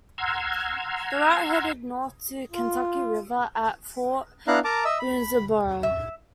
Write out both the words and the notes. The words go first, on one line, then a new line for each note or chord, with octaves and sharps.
The route headed north to the Kentucky River at Fort Boonesborough.
F#5 A#5 C6 E6 F6 G#6
F4
B3 D4 E4 F5 A#5 F#6
A#4 A5 A#5 D6
D#5 E5 E6
B5
E5